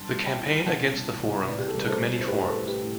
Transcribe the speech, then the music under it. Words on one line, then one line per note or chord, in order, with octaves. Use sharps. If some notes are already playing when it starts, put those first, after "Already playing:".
The campaign against the forum took many forms.
Already playing: G2 A5 C6
G3
G5 B5
E3
B2 F#5 A5
C2
C2
C3 B4 D5
G4
A4
C2 B4
A4 C5
G3
C5
A2 G4 B4
B4
A4 C5
A2
G4 B4
A2